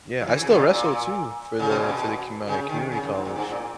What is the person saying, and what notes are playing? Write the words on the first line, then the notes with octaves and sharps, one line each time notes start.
yeah, I still wrestle, too, for the for the commu my community college.
F#3
E3
C#3
B2
A#2
A#2
C#3
B2
A#2
B2
C#3
D#3
C#3
F#2
G#2
A#2
G#2
A#2